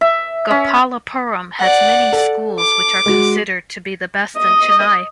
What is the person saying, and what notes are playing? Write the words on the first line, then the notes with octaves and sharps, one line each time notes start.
Gopalapuram has many schools which are considered to be the best in Chennai.
E5
C#4
D5 F#5
A4
D6
G#3 F#4
D#5